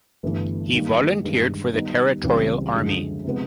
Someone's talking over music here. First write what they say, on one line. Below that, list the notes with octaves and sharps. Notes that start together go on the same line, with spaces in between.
He volunteered for the Territorial Army.
G1 G2 E3 A3
D#3 G3 A#3
G2 D#3 G#3
D#3 G3 B3 D#4
C#2 C#3 E3 G3 C4
F#2 D3 F3 G#3
C3 F3 G#3 B3